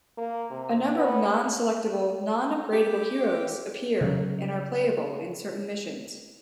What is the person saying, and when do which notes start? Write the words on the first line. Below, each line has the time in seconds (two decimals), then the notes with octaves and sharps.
A number of non-selectable, non-upgradable heroes appear and are playable in certain missions.
0.17 A#3
0.50 C3
0.95 B3
2.73 G4
4.01 C#3 F#3